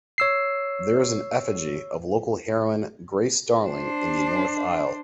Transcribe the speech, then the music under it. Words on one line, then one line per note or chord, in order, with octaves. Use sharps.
There is an effigy of local heroine Grace Darling in the North Aisle.
C#5 E6 C7
D4 C5